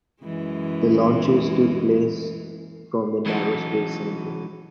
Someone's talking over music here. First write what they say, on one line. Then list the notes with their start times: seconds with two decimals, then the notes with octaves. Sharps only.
The launches took place from the Naro Space Center.
0.22 F#2 E3 G#3
3.26 E3 F#3 C#4 D#4 F#4 A4